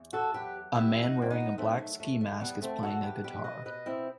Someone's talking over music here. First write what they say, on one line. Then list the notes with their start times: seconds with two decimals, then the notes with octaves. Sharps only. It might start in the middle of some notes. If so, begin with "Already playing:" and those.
A man wearing a black ski mask is playing a guitar.
Already playing: E2
0.13 F#4 A4
0.33 F#3 G4 B4
0.75 F#3 E4 G4
1.03 D#4 F#4
1.17 D#3
1.22 C4
1.30 B3 D#4
1.58 F#3 A3 C4
1.79 A3
1.99 E2 A3
2.21 A3
2.40 E2 G3 B3
2.62 A3 C4
2.82 F#3 F#4 A4
3.03 G4 B4
3.24 B2 G4 B4
3.44 B4 D#5
3.65 B2 B4 D#5
3.86 C4 E4